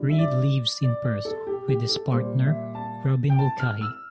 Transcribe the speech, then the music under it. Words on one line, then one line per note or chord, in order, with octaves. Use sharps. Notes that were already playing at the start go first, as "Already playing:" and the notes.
Reid lives in Perth with his partner, Robyn Mulcahy.
Already playing: D3 G3 D4 F4
E5
D5
D5
D5
A4
G4
G4
A4
A#2 G3 A#3 C5
E5
A5
G5
A5
F6
E6